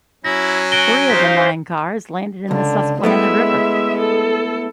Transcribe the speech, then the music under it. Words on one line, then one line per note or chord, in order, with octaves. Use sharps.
Three of the nine cars landed in the Susquehanna River.
F#3 C#4 E4 A#6
F#4 G#5 D7 G7
D#4 C5 F5 B6
C#2 D3
G#3 A3 B3 E4 E5
A4